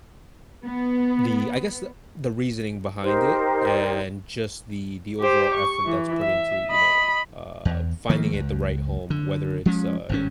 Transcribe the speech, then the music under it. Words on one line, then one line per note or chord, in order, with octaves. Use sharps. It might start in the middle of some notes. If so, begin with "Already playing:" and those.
The I guess the the reasoning behind it and just the the overall effort that's put into, you know, uh, finding it the right home, whether it's, uh,
B3
D#4 G4 A#4 C5
G4 C5
C#6
E3
E5
D#5 B5
E2
D#3 F3 A3 A#3
C#2
D3
F3 G#3 C#4
G#1 G2 C#4